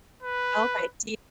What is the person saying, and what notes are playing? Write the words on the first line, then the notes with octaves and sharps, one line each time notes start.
Okay, do you
B4